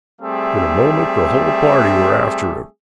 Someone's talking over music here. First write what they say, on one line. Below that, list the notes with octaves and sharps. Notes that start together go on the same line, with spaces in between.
In a moment the whole party were after him.
G3 A3 C4 G#4 E5